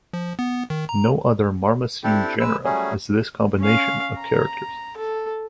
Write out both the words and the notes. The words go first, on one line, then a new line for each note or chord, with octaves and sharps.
No other marmosine genera has this combination of characters.
F3
B3
D#3
A#5
C4 D4 E4 G4 A4
G#3 B4 E6
F#3 G3 A3 C#4 G#4
C#4 F5
A#5
A4